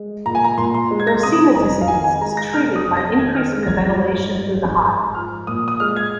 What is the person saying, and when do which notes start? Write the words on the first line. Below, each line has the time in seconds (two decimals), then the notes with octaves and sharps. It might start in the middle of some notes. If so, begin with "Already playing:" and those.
Nosema disease is treated by increasing the ventilation through the hive.
Already playing: G#3
0.26 A#2 A#5
0.35 G#5
0.44 A#5
0.58 A#2 C6
0.74 C6
0.91 G#3
1.00 G#6
1.07 A#6
1.23 C3 D#6
1.55 F2 A#5
1.81 F5
1.88 D#3 G#5
2.04 G#5
2.20 G#3 A#5
2.37 A#6
2.53 C3 F6
2.76 D#6
2.86 F2
2.97 A#6
3.18 D#3 G#6
3.35 F6
3.51 G#3 F6
3.63 A#6
3.68 G#6
3.84 F3
4.16 G#2
4.49 G#3
4.82 G#2
5.14 F3 F6
5.47 A#2 D#6
5.68 D#6
5.80 G#3 F6
5.96 G#6